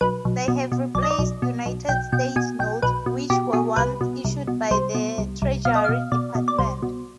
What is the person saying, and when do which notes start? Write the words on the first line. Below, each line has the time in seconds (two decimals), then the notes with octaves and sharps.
They have replaced United States Notes, which were once issued by the Treasury Department.
0.01 B1 B4
0.25 B1
0.48 B2
0.72 B2
0.95 B1 D5
1.02 D#5
1.11 D5
1.18 B1
1.42 B2
1.66 B1
1.89 B1 G5
2.12 B2 G5
2.36 B2 G#5
2.59 B1 G5
2.82 B1 B4
3.06 B2
3.30 B2 G4
3.53 B2 G#4
3.76 C2 B4
4.01 B2
4.24 C2
4.47 B2
4.71 C2 C5
4.95 B2
5.18 C2
5.42 C2
5.65 B2 F5
5.75 D#5
5.84 B2 F5
6.12 B2 D5
6.35 B2
6.48 D5
6.58 C2 C5
6.83 B2